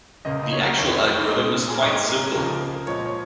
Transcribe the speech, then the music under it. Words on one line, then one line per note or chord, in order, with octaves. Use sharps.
The actual algorithm is quite simple.
C#2 C#3 A#3 D#5
D#5
C#5
A#4
F2 D#3 A#3 C#5
C#5
C#5
A#2 G#3
G#4
A#4
G#2 G#3 C#5
A#4
C#2 C#3 F3 A#3 A#4
A#2 F3 G#3 C#5
C#5